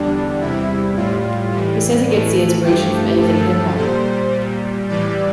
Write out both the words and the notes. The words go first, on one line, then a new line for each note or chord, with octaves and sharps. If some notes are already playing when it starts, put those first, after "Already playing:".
He says he gets inspiration from anything hip-hop.
Already playing: E2 D3 G3 D4
E2 C3 G3 E4
A2 G3 F4
A2 E3 G3
A2 E3 A3
G2 F3 A3 G4
G2 F3 A3 A4
A#2 G3 C5
A#2 G3
A2 E3 G3 D5